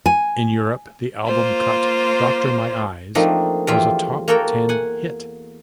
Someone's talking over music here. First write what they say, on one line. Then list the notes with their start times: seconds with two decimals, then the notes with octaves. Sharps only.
In Europe the album cut "Doctor My Eyes" was a top ten hit.
0.06 G#5
1.27 A#3 F4 C5
3.15 F3 A3 A#3 C4 D4 D#4
3.67 E2 F3 G3 F4 E5 G5
4.28 A#3 F#4 A4 A#4 G5
4.69 F#5 G#5